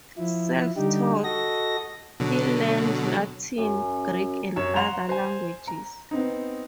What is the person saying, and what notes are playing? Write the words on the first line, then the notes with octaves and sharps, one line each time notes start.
Self-taught, he learned Latin, Greek and other languages.
F3 E4
D3 G3 D#4 G4
F#4 A4 D#5 A#6
B2 D3 F#3
F#2
F#2 C#5 E7
F#5 A#5 C6 F7
C5 G#5
A#5
B3 C4 D#4